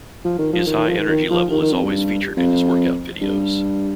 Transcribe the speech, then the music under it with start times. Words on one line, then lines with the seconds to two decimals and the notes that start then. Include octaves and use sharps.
His high energy level is always featured in his workout videos.
0.24 F3
0.38 D#3
0.53 F3
0.67 D#3
0.78 D#3
0.88 F3
0.98 D#3
1.09 D#3
1.30 F3
1.51 D#3
1.62 D#3
1.73 F2
1.83 G2
2.36 F2
3.21 G2